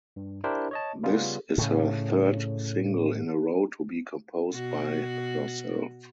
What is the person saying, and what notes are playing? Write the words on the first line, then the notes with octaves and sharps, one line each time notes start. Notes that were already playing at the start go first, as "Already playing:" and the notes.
This is her third single in a row to be composed by herself.
G2
D4 E4 G4 A#4 C5
C#5 D#5 A5
C#3 G3 B3 C#4 F4
A2 C#3
B2 F#4